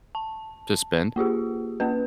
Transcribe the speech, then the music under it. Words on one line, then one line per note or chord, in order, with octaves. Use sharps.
to spend.
A5
A#3 F4 G4 G#4
A#3 C#4 B4